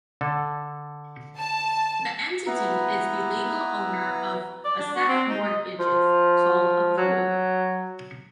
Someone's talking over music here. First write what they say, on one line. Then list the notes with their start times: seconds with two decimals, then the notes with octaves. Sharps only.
The entity is the legal owner of a set of mortgages, called a "pool".
0.21 D3 A4
1.37 A5
2.46 B3 E4 B4 A#5
4.65 D5
4.79 D4
4.95 F#4
5.08 C4
5.29 D#4
5.44 D#5
5.79 F3
6.97 F#3